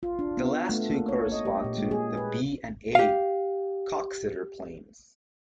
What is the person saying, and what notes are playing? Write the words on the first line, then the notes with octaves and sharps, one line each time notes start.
The last two correspond to the B and A Coxeter planes.
F4
D4
B3
A3
A#3
C#5
D#5
G4
A#2
G#3
G#4
B4
G4 F5